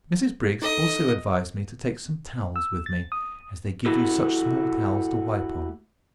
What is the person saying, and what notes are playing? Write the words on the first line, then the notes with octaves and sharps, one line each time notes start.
Mrs. Briggs also advised me to take some towels with me, as they give you such small towels to wipe on.
D#4 A4 D#5
E6
A6
D#6
A3 E4 F#4 G4 A4